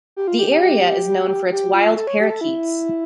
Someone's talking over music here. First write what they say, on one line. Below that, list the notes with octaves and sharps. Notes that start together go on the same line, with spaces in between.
The area is known for its wild parakeets.
G4
F4
G4
G4
G4
F4
A4
C#5
G4
A4
E4